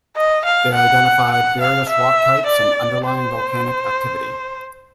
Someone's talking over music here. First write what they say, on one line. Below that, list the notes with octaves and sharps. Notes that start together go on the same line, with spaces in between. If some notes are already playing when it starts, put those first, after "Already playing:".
They identified various rock types and underlying volcanic activity.
D#5
F5
F#5
F#5
F5
E5
D5
C5